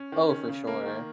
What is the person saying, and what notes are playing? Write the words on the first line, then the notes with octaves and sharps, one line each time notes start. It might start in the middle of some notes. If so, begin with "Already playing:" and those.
Oh, for sure.
Already playing: C#4
D#3
C#4
C#3
A#3
D#3